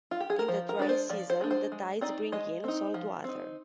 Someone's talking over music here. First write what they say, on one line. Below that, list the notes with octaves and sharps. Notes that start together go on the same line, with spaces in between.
In the dry season, the tides bring in salt water.
F4
G4
G#4
A#4
F3 C5
A#4
G#3 D4 D5
C5
F3 D5
C5
G#3 D4
C5
G#3
C4 D#4 D5
G#3 D#5
C4 D#4
F3
C4 D#4